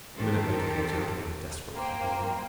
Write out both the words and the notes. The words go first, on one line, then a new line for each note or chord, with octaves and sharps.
A minute later he was out again and desperately hobbling on.
D#3 G4 A4 A#4 C5
A#3 C5 G5